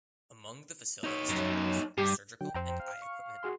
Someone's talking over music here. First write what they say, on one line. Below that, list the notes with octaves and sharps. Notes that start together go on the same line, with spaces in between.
Among the facilities it has are surgical and eye equipment.
D#4 C#5
F#2
G2 G4
D3 F#3 G5
F2 C5 G5 A#5
F5
C#6
F#4 G#4 C6